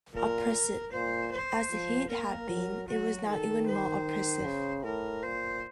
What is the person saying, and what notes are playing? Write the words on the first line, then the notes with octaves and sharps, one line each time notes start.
Oppressive as the heat had been, it was now even more oppressive.
A#2 A#4
A#2 C5
C5
F3
A#3 A#4
F#3
F#3 F#4
D#3 A4
C5
C#3
A2 A#4
A#2 C5